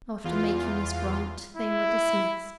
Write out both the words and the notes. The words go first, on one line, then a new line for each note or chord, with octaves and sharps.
After making this grant, they were dismissed.
E2 F4
E4